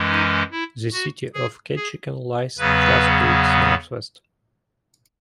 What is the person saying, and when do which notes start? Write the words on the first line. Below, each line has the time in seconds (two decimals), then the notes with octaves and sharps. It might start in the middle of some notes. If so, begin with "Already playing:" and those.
The city of Ketchikan lies just to its northwest.
Already playing: F#2 E3 G#3 C#4
0.10 D#4
0.51 E4
0.93 F#4
1.34 G#4
1.76 G#4
2.58 E2 C#3 F#3 B3 B4